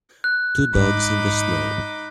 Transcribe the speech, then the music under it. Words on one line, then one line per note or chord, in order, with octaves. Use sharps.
Two dogs in the snow.
F#6
G#2 D#4 B5 D6